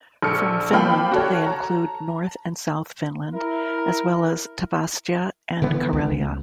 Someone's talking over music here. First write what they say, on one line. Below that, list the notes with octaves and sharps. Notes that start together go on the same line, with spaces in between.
From Finland they include North and South Finland, as well as Tavastia and Karelia.
A#1 A4 F6 C#7
F3 A#3 F4 G5 B5 F6
F#4 A4 C#5
A5 A#5
E4 A#4
D3 E3 B3
C#2